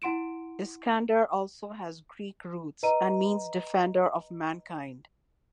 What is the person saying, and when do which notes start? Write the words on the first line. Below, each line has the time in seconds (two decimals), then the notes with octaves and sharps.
Iskander also has Greek roots, and means Defender of Mankind.
0.02 E4 F#5 C6 D7 E7
2.83 B4 D#5 A#5 D#7